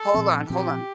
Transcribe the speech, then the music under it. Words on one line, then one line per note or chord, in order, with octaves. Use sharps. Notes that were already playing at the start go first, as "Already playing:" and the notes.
Hold on, hold on.
Already playing: A4
A#2 F3 C4
A#2 F3 C4 G4